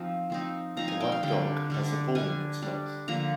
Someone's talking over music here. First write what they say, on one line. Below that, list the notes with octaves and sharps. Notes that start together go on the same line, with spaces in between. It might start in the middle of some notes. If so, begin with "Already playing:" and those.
The white dog has a ball in its mouth.
Already playing: F3 C4 D#4
F3 C4 D#4
F3 C4 D#4 A#5
G#5
G5
F5
D3 G3 D4 G5
D3 G3 D4
G3 D4 G#5
G3 D4
D3 F3 A#3 A#5